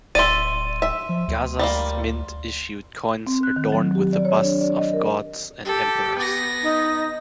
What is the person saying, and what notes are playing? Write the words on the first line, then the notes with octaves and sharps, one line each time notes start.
Gaza's mint issued coins adorned with the busts of gods and emperors.
D1 D5 E5 C6 D#7
E5
F3
D2
G3 A#3
C4
F#6
D#3
F#3
G4
D5
C#5
D4
D5
D#5
A#4
G4 A4
B3 A#6
D#4